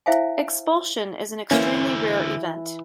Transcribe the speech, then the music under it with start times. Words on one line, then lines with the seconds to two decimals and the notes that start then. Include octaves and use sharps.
Expulsion is an extremely rare event.
0.06 E4 C5 E5 F5 G5 G#5
1.51 D3 E3 A#3 C#4 C5